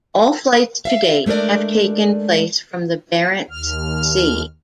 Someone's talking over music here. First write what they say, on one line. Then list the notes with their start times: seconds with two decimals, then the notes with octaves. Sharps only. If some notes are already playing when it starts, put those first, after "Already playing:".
All flights to date have taken place from the Barents Sea.
0.85 E5 F5
1.26 G#3 A3 D4 A#4 D5
3.50 D#2 F6